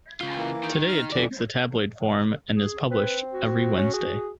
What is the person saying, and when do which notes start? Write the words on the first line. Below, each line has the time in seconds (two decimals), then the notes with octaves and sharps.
Today it takes a tabloid form and is published every Wednesday.
0.21 C#3 F4
0.36 E3 A#3
0.64 D#3
0.88 F6
1.12 F2 D3 E3 D5
2.55 G#4
2.91 C4 B4
3.33 F#4
3.77 C#4
3.94 G#4